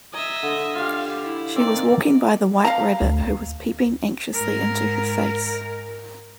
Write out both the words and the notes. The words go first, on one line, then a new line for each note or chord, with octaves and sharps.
She was walking by the White Rabbit, who was peeping anxiously into her face.
D#5 E5 G#5 A#5
D3
F4 G4 F5
E4
D#3 C4 D5
F5 A#5
D2
G#2 A#4